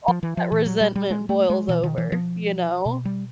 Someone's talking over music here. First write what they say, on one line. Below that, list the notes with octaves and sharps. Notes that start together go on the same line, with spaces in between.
all that resentment boils over, you know.
F3
E3
F3
A#2 E3
F#3
G3
G3
G#3
A3
G#3
B2 E3
D#3
E3
F3
B2
G3